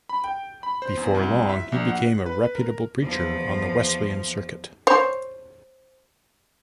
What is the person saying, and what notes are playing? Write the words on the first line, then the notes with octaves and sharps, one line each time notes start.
Before long he became a reputable preacher on the Wesleyan circuit.
B5
G5
B5
C5
E2
C2
E5
A#1
F#5
B4
A#4
E2 F3
C5 C#5